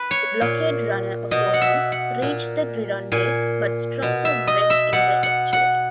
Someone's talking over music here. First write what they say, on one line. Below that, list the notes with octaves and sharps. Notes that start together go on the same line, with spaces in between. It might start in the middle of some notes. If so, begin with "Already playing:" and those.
The blockade runner "Osorno" reached the Gironde, but struck a wreck in the estuary.
Already playing: B4
C#5
A#2
B2 D#5
F#5
E5
F#5
A#2
A#2 G#5
B2
E5
D#5
E5
B2 F#5
F#5
F#5